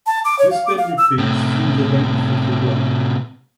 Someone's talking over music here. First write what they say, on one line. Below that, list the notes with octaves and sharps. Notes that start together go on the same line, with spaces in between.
This then repeats through the length of the run.
A5
D6
C#5
F5
D6
F5
E6
A2 C3